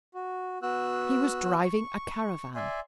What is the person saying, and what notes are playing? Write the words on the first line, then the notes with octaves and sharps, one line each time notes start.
He was driving a caravan.
F#4
B3 F#4 E6 F#6
C#6
D5 E5 G#5 C6